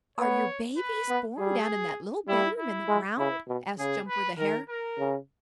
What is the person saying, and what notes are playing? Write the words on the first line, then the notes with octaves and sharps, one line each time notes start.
"Are your babies born down in that little bedroom in the ground?" asked Jumper the Hare.
B3 C#5
B4
B3
G3 G#4
G3 E4
E4
G#3
C#3 E4
B2
C#3 G#4
B4
D#3 A#4
A#4
C#3